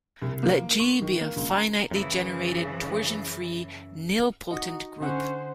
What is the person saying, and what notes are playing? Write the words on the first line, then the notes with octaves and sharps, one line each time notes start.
Let "G" be a finitely generated torsionfree nilpotent group.
C2
A#3
C#6
D#3
A#3
C#2
A#5
F#2 C#3 E3 E4
D#4 F#4 D#5
D3 C#4 C5 F#5